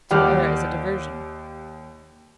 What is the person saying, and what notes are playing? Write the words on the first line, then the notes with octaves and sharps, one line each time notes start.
To err is a diversion.
D#2 G3 G4 F#5 F6